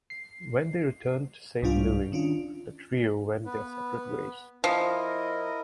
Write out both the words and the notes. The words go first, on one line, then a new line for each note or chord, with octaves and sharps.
When they returned to Saint Louis the trio went their separate ways.
C7
C2 G#2 G3 D4 F4 F5
D#3 C#4 D4 F4
B3 B4
F3 E4 A#4 D#5